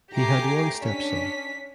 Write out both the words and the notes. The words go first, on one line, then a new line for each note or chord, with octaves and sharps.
He had one stepson.
A3 G4 G#5 A#5 D6 C7
C#4 D4 B6